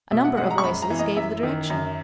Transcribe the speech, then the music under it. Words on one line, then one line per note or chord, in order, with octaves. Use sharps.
A number of voices gave the direction.
B2 E5
F#5
G#3 F#5
A#5
C#6
F#2 B5
A#5
E3
D#5
F#2 E5
D#3
F#2